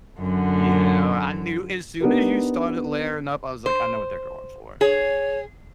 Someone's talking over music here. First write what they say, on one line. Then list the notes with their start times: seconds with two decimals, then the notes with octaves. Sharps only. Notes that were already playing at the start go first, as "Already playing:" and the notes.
Yeah. I knew, as soon as you started layering up, I was like, I know what they're going for.
0.19 F#2 D3
2.01 B3 D4 D#4 G4 A#4 B4
3.66 C5
4.81 G#4 C#5